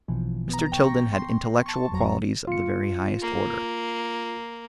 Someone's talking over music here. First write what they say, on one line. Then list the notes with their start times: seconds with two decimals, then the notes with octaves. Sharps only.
Mr. Tilden had intellectual qualities of the very highest order.
0.08 A#1 B2 E3 F3
0.49 B3 A#5
0.72 G5 C#6 A#6
1.13 C6
1.66 A5 C#6
1.90 G1 F2 F#3 A#5
2.47 F4 C#7
3.22 A#3